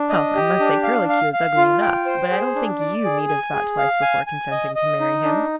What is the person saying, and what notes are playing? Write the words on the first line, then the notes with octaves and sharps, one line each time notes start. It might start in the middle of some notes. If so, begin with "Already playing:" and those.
'Well, I must say Curlicue is ugly enough, but I don't think YOU need have thought twice before consenting to marry him.'
Already playing: D4
D#5
G4
D4
F5
F5
F5
F4
G5
C5
G#4
D4
D5
G#4
G#5
G#4
F5
G#5
G#5
D#5
D#5
D#4
D4